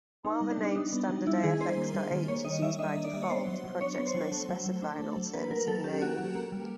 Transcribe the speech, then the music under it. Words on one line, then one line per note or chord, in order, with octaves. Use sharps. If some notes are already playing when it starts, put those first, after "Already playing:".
While the name stdafx.h is used by default, projects may specify an alternative name.
B3 D#4
G3
D4
G3
D4
D4 D#4
B3
G3
G3 E4
D#3 G#4
D4 C5
A#3
G3
D#3
A#3 C#5
G3 D#5
G3 E5
D4 D#5
A#3
D5
G3
C#5
B3 C5
F#3
F#3
D4 C#5
B3 C#5
C5
F#3
A3
F#3
F#3
D4
A3
F#3
A#3 B4
F#3 A#4
F#3 A4
C#4 G4
A#3 F#4
F#3
A#3
G3